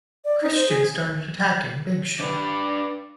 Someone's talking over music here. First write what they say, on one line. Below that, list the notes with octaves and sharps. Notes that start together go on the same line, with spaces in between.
Christian started attacking Big Show.
D5
D#4
C5
G#4
D4 B4 D5